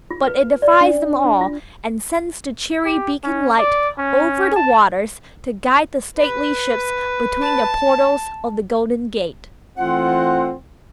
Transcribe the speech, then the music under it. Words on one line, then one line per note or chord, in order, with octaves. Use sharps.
But it defies them all, and sends the cheery beacon light over the waters, to guide the stately ships between the portals of the Golden Gate.
F4
B4
D5
D4
D4
F4
G4
C#4
D5
C#4
A5
B4
A5
E3 A3 C4 F4 F#5